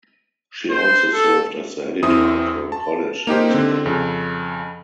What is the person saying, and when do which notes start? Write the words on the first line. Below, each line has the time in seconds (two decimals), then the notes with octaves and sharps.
She also served as the editor of her college newspaper.
0.70 C5
1.13 A4
2.03 E2 C4 E4 D#6
2.72 A5
3.27 A#3 D#4 G4 C5
3.51 D3 C4
3.86 F2 C#3